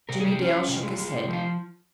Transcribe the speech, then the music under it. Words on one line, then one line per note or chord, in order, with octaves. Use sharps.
Jimmie Dale shook his head.
C3 A#4
G#4
C3
G4
C#4 F4
C#4
C3
G#3
G#3
C3
F3 F4